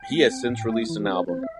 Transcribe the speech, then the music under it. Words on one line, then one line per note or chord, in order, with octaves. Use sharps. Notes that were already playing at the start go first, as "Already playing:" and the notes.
He has since released an album.
Already playing: G5
A3
C4
A2
A3 E5
E4
E3
G4
C4
C5
C4 C5
E5